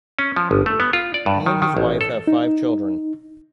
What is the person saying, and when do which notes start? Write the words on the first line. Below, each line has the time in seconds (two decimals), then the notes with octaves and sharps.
He and his wife have five children.
0.19 C#4
0.36 F3
0.51 G1
0.66 A3
0.80 B3
0.93 F4
1.14 D5
1.26 G2
1.46 D#3
1.62 D#3
1.77 A1
2.01 A4
2.27 D#4